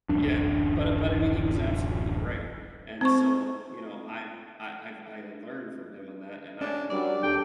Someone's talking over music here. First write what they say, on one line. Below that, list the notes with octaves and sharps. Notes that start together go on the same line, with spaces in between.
Yeah, but but I mean, he was absolutely right. And so, you know, I I I've I've learned from him on that, and I've
D1 A1 F#2 D4
C4 C5 C#6
C#4 D4 D5
F#3 G3 D4 A#4 D5
D#2 D4 G4 A4 G5